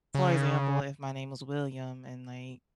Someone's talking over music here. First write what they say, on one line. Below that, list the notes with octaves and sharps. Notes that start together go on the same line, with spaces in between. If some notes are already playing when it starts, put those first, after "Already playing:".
For example, if my name was William and, like,
C#3